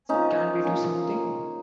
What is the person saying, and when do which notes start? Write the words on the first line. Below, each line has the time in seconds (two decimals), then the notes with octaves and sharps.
Can't we do something?
0.09 F3 A#3 C#4 D#4
0.64 F3 A#3 C#4